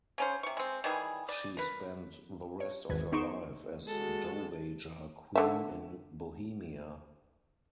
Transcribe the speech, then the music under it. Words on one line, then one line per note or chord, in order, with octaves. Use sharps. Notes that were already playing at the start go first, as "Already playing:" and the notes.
She spent the rest of her life as Dowager Queen in Bohemia.
C#3 C#4 C5
C3 C#6
G#3 C4
D#3 E3 G3 G#4
D5
A#4 B4
C#5
G#1 E2 B4 G#6
B3 D#4 C6 C#6 D7 E7
G#3 F#4 A4
D3 E5